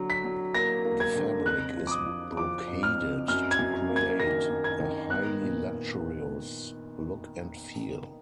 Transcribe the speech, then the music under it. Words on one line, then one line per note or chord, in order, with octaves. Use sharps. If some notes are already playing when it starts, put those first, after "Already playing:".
The fabric is brocaded to create a highly luxurious look and feel.
Already playing: D3 F#3
B6
F#3
A#3 A#6
A#3
G#6
D3
F2 F#6
F3
D6
D#6
F3
F3 D6
F2
F6
F2
F#2 F6
G#6
F#2
A#3
G#6
D#3 A#6
F#2
G#6
D#3
B3 F#6
A#2